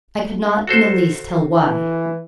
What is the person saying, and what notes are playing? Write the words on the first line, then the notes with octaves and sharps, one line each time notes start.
I could not in the least tell why.
F#4 A4 C5
E3